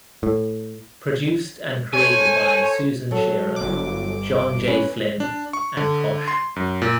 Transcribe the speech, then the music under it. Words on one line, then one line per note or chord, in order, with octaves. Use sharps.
Produced and created by Susan Shearer, John J. Flynn and Kosh.
A2
A4 C5 C#5 G#5
F#3 A4
G1 D6
C#4 B4
D4
C#6
D3
C6
F#2
A#2